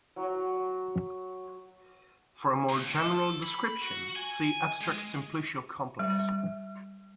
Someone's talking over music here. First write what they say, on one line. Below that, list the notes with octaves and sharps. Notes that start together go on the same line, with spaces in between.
For a more general description, see abstract simplicial complex.
F#3
D2
A4
B5
F#4
G#5
G#3
G3